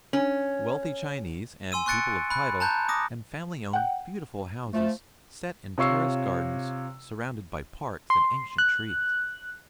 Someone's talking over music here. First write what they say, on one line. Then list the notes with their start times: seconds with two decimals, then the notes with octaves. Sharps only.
Wealthy Chinese and people of title and family owned beautiful houses set in terraced gardens surrounded by parks and ancient trees.
0.13 C#4
1.72 G#5 C6 E6 D#7
1.86 C6 C#6 F#6 A6 C#7 D7
2.30 B5 F#6
2.60 A5 A#5 F#6 G6
2.89 D6 D#6 A#6
3.73 F#5 G5
4.74 F3 A3
5.78 C3 F4 C#5 C#6 E6 C7
8.10 C6
8.58 F#6